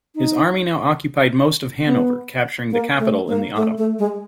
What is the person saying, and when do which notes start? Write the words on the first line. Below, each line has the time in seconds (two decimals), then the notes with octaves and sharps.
His army now occupied most of Hanover, capturing the capital in the autumn.
0.15 D#4
1.86 B3
2.71 A#3
2.99 A3
3.28 A#3
3.56 A3
3.78 A3
3.99 G#3